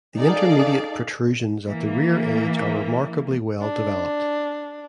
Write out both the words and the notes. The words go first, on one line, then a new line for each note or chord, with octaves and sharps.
The intermediate protrusions at the rear edge are remarkably well developed.
D#4 G#4 A4 D5 F5
E3 A#3
D4